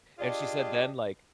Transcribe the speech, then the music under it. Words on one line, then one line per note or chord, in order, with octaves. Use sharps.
And she said then, like,
D4 F4 G4 G#4 D5 D#5